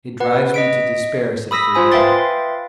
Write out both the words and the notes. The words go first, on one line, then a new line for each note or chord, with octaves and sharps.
"It drives me to despair," said Fernand.
B4 F#5
D#5 B6 D7
B5 D#6 E6 A#6 B6
F4 C5 G#5 D#6
B4 E5 F5 G5 C6 A6